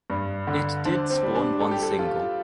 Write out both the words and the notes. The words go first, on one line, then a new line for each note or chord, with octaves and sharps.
It did spawn one single.
G2
D3
D4 C5
C4
G3
D4
G3 A4
G4
A4
F4